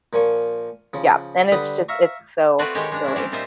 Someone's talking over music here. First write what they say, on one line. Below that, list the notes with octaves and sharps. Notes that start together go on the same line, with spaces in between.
Yeah, and it's just it's so silly.
A#2 F3 A#3 G#5 C#6
C#3 F3
D3 G3 B4 D#6
E5 F5 A#5 C#6
A3 C4 F4 F#4 B4 D5
D#3 G#3 D#4 G4 C#5
G#3 D4 A#5
C#4 D4 E4
G3 C4 G4
A#2 D#4 F4 C5 E5 A#5